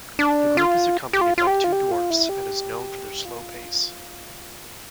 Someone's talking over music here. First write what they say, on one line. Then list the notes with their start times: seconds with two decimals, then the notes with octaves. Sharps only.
The group is accompanied by two dwarfs and is known for their slow pace.
0.19 D4
0.57 F4
1.13 G4
1.21 F4
1.38 F4
1.47 G4
1.64 F4
1.72 G4
1.91 F4
2.10 E4
2.29 G4
3.25 F4